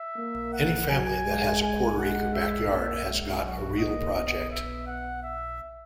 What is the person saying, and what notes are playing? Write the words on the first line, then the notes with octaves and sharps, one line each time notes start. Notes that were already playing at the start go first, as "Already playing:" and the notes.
Any family that has a quarter-acre backyard has got a real project.
Already playing: E5
A#3
F#5
F#3 G#5
G#3
G#5
G#3 F#5
E5
A#3
G#3
F#3 F#4
A#3 D#5
B3
E5
F#5
E5